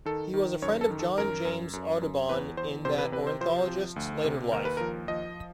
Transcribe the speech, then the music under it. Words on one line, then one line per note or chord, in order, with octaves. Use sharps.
He was a friend of John James Audubon in that ornithologist's later life.
D#3 A4
D#3
F#2 C#5
A4
D#3
A4
F#2 A#4
F#2
F#2
F#2
E2 B4
E2 C5
C3 C5
B4
C3 B4
C5
F3 C5
F3
D2
C3
D#2 A#4
B4
F3 A#4
F3 D#5